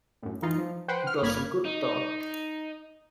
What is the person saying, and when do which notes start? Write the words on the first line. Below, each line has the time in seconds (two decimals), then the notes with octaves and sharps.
It was a good thought.
0.23 F#2 A2
0.42 E3 D#4 F4
0.58 F3
0.88 B4 C5 F#5 G5
1.07 F6
1.22 G1 A#3 B5 F6 G#6
1.65 D#4